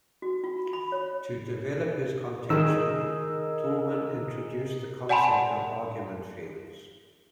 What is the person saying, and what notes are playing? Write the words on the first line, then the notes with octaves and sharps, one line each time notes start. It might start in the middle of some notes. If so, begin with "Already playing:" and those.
To develop his contention, Toulmin introduced the concept of argument fields.
F#4
F4
B5
C#5
D#3 D#4 G#4 A#4 E6
D5 F#5 G#5 A5 B5 C6